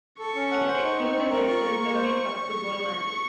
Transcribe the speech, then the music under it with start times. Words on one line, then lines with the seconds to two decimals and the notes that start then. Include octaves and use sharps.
It has exclusive rights to the Serbian Cup football matches.
0.19 A4 C#6
0.35 C#4
0.51 F#5
0.67 C5
0.82 D#4
0.99 C4
1.15 C4
1.30 A#4
1.47 F4 C#6
1.63 A#3
1.79 A#3
1.95 C5